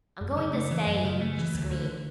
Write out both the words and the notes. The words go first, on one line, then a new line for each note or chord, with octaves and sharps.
"I'm going to stay!" she screamed.
F#2
C#3
A3
E3
F#2
C#3
A3
E3
D2
D3